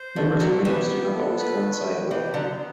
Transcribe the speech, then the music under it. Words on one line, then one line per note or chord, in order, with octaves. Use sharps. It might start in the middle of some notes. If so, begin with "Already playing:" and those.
Numbers and names do not always coincide well.
Already playing: C5
D3 A3
D3 F#3 G4
E3 B3
B3
A4
B4
A3
G4
E3 C5
D3 F#3 B3